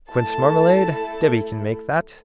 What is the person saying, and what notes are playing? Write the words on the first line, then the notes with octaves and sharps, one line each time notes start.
Quince marmalade? Debby can make that.
A3 E4 A4 A5